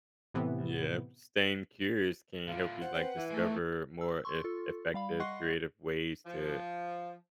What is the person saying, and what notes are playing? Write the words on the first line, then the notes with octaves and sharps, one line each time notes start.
Yep, staying curious can help you, like, discover more eff effective, creative ways to
A2 C3 E3 B3
A2 D3 F4
C5 F#5
C4 B4
E3
G#3 A3 A4
E6
C6 C#6
F4 A4
G3 F5 B5
D#5 F#5 C6 C#6 F#6 C7
F3